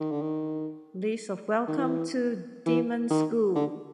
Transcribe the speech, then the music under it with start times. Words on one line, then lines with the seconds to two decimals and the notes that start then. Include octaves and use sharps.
List of Welcome to Demon School!
0.01 D#3
0.11 D3
0.22 D#3
1.68 D#3
1.78 E3
2.66 E3
3.10 D#3
3.56 D3